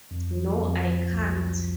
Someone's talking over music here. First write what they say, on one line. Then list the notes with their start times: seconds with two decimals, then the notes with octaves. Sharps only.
No, I can't.
0.11 F2
0.37 F3
0.63 F2
0.87 F3
1.12 C2